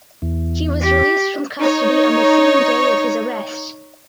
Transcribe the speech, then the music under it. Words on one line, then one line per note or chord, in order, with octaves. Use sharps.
He was released from custody on the same day of his arrest.
E2
G4
D#4 C#5